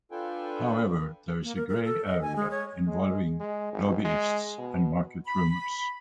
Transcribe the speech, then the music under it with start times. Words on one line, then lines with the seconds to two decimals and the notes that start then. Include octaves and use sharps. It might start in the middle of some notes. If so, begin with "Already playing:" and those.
However, there is a grey area involving lobbyists and market rumours.
0.11 D4 F4 A4 B4 G5 G#5
1.43 A#3
1.56 A#4
1.69 A#4
1.85 A4
2.06 D#5
2.21 G#5
2.36 G#3
2.51 C#5
2.87 G#3
3.40 G#3
3.72 G#1
4.04 G#3
4.58 B2
5.27 B5